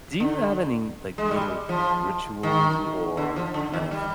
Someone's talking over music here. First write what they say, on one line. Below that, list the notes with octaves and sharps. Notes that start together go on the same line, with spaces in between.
Do you have any, like, little rituals or, kind of,
D3
G#3
G3
F3
D#3
D3
F3
D3
D#3
G3